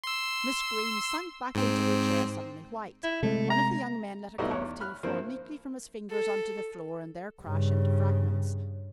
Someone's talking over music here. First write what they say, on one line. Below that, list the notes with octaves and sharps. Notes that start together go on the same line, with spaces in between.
Miss Greene sank back into her chair, suddenly white. One of the young men let a cup of tea fall neatly from his fingers on to the floor and there crash into fragments.
C6 E6
G#2 C4
E4
C3 G#3 A3
A#5
B1 G3 A3 B3 E4 D#5
E2 C#5 F#6
B5 F6 F#6
G2 F3 A#3 C4 E4
A4
G2 C#3